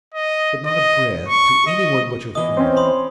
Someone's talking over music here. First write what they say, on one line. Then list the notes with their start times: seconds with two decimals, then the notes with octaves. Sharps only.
'But not a breath to anyone but your father.
0.14 D#5
0.66 D#5
1.28 C#6
1.67 D#5
2.35 E2 E3 D#5 D#6 G7
2.57 C4 C#4 C5
2.76 B5 C6 D#6